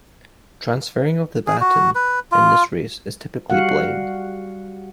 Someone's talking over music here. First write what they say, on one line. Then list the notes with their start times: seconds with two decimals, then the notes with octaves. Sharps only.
Transferring of the baton in this race is typically blind.
1.47 G#4
1.61 F#4
1.95 B4
2.32 F4
3.50 G3 F#4 F5 F#5